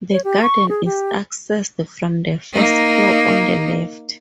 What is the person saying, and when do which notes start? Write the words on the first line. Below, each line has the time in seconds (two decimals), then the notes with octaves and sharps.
The garden is accessed from the first floor on the left.
0.12 C#5
0.24 G4
0.43 C#6
0.69 G#4
0.85 G4
2.53 A#3 D#4